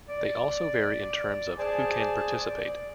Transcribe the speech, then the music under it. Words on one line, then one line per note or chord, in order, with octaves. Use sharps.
They also vary in terms of "who can participate".
D5
G#4 C5 D5 G#5 A5
D5